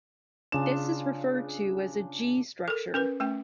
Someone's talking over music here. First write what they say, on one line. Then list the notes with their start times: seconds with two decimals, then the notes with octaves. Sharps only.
This is referred to as a G-structure.
0.52 C#3 D4 F4 G#4 E7
2.68 A4 A#4
2.94 C#4 A#4 B4
3.20 A3 C#4 G5